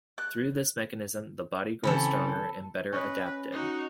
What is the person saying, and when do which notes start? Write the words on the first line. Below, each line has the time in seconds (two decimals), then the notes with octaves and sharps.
Through this mechanism, the body grows stronger and better adapted.
0.18 F#6
1.84 C#3 E3 C4 A4 B5
2.93 C#4 B4 D#5
3.52 D#4 F#4